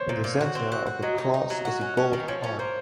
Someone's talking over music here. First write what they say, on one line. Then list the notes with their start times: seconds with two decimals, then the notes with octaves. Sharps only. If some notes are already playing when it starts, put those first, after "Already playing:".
In the centre of the cross is a gold harp.
Already playing: C5 C#5
0.09 A#2
0.24 A#2
0.41 F#4
0.55 C4
0.72 F#4
0.86 F#4
1.03 F#3 D#5
1.18 D#4
1.34 D#4
1.50 F#3
1.65 F#4
1.81 C#4
1.97 C#4
2.13 D#3
2.28 F3 C#5
2.44 C#4
2.59 A#3 C5